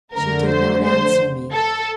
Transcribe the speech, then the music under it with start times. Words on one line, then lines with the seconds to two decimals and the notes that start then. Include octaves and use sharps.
She did not answer me.
0.14 F2 D3 A3 A#4
0.49 C5
0.84 C5
1.53 A4